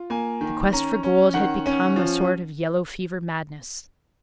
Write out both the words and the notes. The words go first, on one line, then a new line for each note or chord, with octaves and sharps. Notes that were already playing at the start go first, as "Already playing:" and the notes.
The quest for gold had become a sort of yellow-fever madness.
Already playing: F4
A#3 G#5
D#3
C#4 A#5
C#4
D#3 F#5
C#4
F3